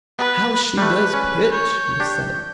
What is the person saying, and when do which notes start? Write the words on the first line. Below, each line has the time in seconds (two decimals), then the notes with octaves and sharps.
"How she does pitch!" he said.
0.19 B3 B4
0.77 G3 A3 B4 F#6
1.13 C#4
1.51 C#5 G6
2.00 D4 G4